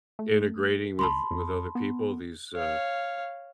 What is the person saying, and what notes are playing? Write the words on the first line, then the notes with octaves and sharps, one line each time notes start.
integrating with with other people, these, uh, th
A3
C#2 A5 B5 C6
F2
B3
C#5 F5